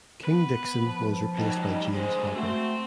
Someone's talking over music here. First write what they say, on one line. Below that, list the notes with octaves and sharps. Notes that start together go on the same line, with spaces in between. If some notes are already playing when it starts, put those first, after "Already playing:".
King Dickson was replaced by James Hopper.
B3 B4
F3
F#3 G3 D#4
D3 G#3 C5
A3 C4 F#4 C5